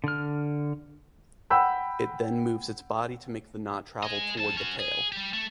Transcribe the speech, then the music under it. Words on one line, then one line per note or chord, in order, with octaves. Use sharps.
It then moves its body to make the knot travel toward the tail.
D3 F6
F#5 G5 B5 E6
G#4 D#5
F2 A5
C#4 F#4
G#4
G3 G4
A3